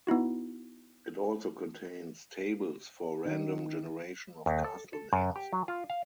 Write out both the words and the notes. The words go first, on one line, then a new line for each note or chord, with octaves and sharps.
It also contains tables for random generation of castle names.
B3 D#4 E4 F#4
D#3
D#2
A4
A4
F#2
G4
F#3
F4
F5